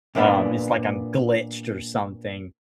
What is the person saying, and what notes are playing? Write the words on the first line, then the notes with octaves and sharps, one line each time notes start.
um, it's like I'm glitched or something,
A#2 A#3 B3 D4 B5